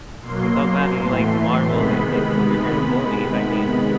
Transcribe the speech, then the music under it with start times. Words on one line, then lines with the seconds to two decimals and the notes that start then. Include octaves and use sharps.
I'm so glad that you like Marvel and, like, superhero movies. I mean,
0.21 B2 F#3 A#3 C6
0.57 C6
0.92 A2 E3 A3 C6
1.65 C3 D#3 G#3 B3 B5